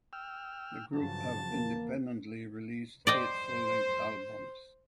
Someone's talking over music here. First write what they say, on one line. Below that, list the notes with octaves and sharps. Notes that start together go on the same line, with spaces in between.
The group have independently released eight full length albums.
G5 E6 F6
G2 C#3 F3 F#3 A5
E2 A#3
C5 D5 D#5 G5